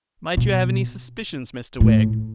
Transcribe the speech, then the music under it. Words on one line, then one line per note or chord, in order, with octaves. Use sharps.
'Might you have any suspicions, Mr Wegg?'
B2
A2